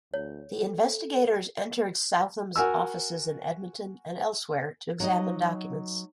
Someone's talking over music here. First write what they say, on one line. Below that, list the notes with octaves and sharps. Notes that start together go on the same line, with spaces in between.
The investigators entered Southam's offices in Edmonton and elsewhere to examine documents.
D2 C#5
A4
F#4 A#4 G#5 E6
F#3 D#4 D#5